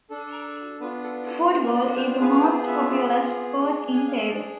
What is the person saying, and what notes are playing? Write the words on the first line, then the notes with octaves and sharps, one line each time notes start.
Football is the most popular sport in Peru.
D4 A4
B3 D4 F4 B4
A4
A4
B3 D4 F4 C5
D5
C5
B3 F4 G#4 B4
C5
E5
B3 F4 G#4
D4 G#4
G#5
F5
E5
D4 G#4 D5